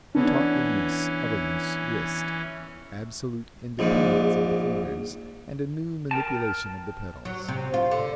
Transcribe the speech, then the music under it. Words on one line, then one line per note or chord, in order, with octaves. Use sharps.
He taught the use of a loose wrist, absolute independence of the fingers and a new manipulation of the pedals.
E3 B3 C#4 D4
A#1 G#2
A#4 G5 A5
F#3
C3
F4
D3